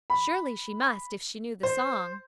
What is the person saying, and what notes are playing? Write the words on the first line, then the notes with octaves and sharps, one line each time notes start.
Surely she must if she knew the song.
B5
C5